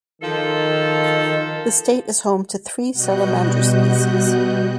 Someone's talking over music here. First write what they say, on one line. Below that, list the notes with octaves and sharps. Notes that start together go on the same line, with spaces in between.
The state is home to three salamander species.
D#3 F3 F4 A4
B2 G3 F#4 D#5 F#6 G6